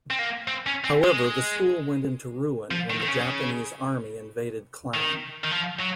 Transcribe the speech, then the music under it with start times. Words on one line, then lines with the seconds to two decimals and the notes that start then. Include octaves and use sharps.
However, the school went into ruin when the Japanese army invaded Klang.
0.10 C4
0.19 A#3
0.48 C4
0.67 C#4
0.84 C4
1.04 G#3
2.71 F3
2.90 D#3
3.02 D#3
3.08 C#3
4.94 D#3
5.44 D#3
5.51 F3
5.79 F#3